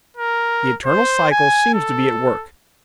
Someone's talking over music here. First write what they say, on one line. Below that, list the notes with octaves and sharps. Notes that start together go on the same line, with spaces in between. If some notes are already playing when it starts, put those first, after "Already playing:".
The eternal cycle seems to be at work.
A#4
C5
G#5
A4